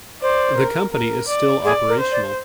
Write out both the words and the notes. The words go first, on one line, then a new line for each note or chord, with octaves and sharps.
The company is still operational.
C5 D5
A#4
A#4
D5
G#4 D5
A#4
C5
D5